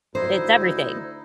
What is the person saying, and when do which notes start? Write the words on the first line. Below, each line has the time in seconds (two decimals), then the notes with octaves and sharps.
It's everything,
0.15 D2 D#4 E4 C5 D#5